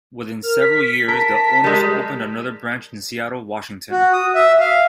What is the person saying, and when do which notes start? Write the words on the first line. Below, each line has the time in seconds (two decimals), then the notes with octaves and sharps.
Within several years, the owners opened another branch in Seattle, Washington.
0.43 A#4 F6
0.61 B6
1.08 A#4 A5
1.64 G3 G#3 A#4
3.91 F#4
4.13 D#6
4.35 E5
4.60 F5